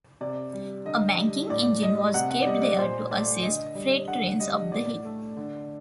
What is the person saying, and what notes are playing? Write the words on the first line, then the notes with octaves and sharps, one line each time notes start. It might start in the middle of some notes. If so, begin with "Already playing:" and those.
A banking engine was kept there to assist freight trains up the hill.
C3 D5
G3
D3 D#5
G3
A2 D5
G3 D#5
C3 F#5
F#5
D5
G3 D#5
D5
A#2 C5
A3 D5
D3 D#5
G3
D3 F#5
G3 D#5
A2 D5
A3
D3